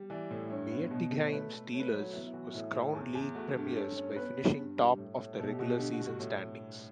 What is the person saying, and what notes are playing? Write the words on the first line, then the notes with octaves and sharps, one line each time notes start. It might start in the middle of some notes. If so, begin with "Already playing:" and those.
Bietigheim Steelers was crowned league premiers by finishing top of the regular season standings.
Already playing: G3
E3 D5
A2
G2 C#5
B3
B2
A3
C#5
A3 B4
A3
A3 C#5
B4
C#5
F#3
F#4
B3 E4
E4
E3 F#4
F#4
A2 E4
A2
E2
E2
A3 F#4
G2
G4
C#4 A4
C#4
B3 B4
B3
G2
G3
A2
A2
B2 A4
G4
B2 F#4
G4
D3 G4
F#4
G2
F#4
A2